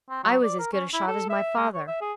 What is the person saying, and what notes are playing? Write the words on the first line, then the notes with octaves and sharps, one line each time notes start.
"I was as good a shot as my father."
C4
F#3
D5
A#4
C#4
E4
A4
E5
G#3
C#5
E5
G#4